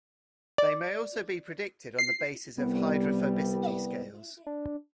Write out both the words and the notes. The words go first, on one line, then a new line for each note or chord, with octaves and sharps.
They may also be predicted on the basis of hydrophobicity scales.
D5
C7
C2 G3 B3
D4